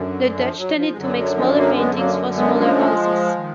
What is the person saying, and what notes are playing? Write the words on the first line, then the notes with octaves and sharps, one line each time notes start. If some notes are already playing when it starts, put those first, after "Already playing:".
The Dutch tended to make smaller paintings for smaller houses.
Already playing: F#2 D3
F3
F#3
F3
G#3
F#2 D3 F#3
F#3
F3 G#3
F#3 A#3
G#3 B3
F#3 A#3
G#3 B3
F3 G#3
D#3